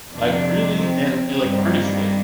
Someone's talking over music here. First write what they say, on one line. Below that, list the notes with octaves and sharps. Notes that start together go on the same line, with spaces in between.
Like, really, and and like earnestly,
F2 C3 D#3 D4
C4
C4
G2 D#3 G3 A#3